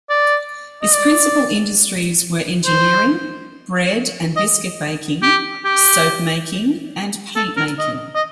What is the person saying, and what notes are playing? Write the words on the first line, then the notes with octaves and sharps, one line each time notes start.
Its principal industries were engineering, bread and biscuit baking, soap-making and paint-making.
D5
D#5
D5
C5
D#5
G4
G4
A4
A#4
D#5
D#5